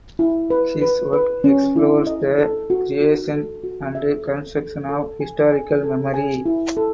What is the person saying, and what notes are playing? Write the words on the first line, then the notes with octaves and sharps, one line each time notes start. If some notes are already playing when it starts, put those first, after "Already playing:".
His work explores the creation and construction of historical memory.
E4
B4
B4
B4
C#4
E4
D#5
A4
F#4
F#4
A4
F#4
E5
A4
A4
A4
G#5
G#5
A4
G#5
E4
A4